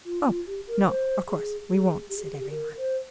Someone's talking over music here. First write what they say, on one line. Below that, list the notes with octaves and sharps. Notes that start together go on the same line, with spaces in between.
'Oh, no, of course we won't!' said everyone.
F4
F4
G4
A#4
C5
G#4
G#4
G4
G#4
G4
G#4
G4
A#4
C5